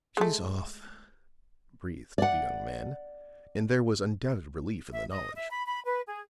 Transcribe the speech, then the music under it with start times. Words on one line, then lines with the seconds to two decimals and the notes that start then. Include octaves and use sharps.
"She's off," breathed the young man, and there was undoubted relief in the knowledge.
0.17 G#3 A3
2.18 D5 F#5
4.93 E5
5.11 D#5
5.34 E5
5.50 B5
5.66 B5
5.85 B4
6.06 G#4